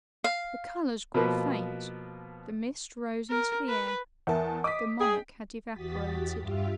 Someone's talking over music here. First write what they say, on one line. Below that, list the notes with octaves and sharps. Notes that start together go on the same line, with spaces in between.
The colors grew faint; the mist rose into the air; the monarch had evaporated.
F5
B2 F3 A#3 B3
A#4
B4
E2 A#4 E5 F#5 A5
D#5 D6 D#6 B6
G#4 G5
E2 F#4 G4 D#6 A6 B6
G2 F4 G4 E5 F5